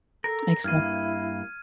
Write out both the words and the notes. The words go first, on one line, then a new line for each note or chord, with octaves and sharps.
Makes sen
A4 A#4
G2 A#3 E4 F6 G#6 D#7